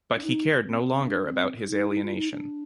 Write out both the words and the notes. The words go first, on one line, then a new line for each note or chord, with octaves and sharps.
But he cared no longer about his alienation.
D4
D#4
C4
C4
D4
C4
D#4
D#4
F4
D#4
D4